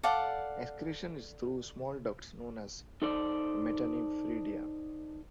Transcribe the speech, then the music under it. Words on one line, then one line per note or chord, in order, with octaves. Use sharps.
Excretion is through small ducts known as metanephridia.
A4 D5 F5 F#5
D#4 A4 C5 D5